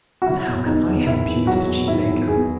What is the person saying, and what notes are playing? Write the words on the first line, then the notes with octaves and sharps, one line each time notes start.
"But how can I help you, Mr. Cheesacre?"
F#4
F#3 E4
E2
E2 D#4
E2
D#3 E4
E2
F#3 F#4
E2
D#3 E4
E2
E2 G#4